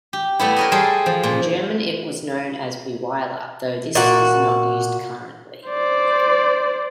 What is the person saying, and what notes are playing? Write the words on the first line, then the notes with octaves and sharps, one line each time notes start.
In German it was known as "Bewiler" though this is not used currently.
G4
G3 A3 B3 E4
A#4 C#5 D#5
G3 G#4 A4 C5
F3
A#2
A#2 F#4
C5 D5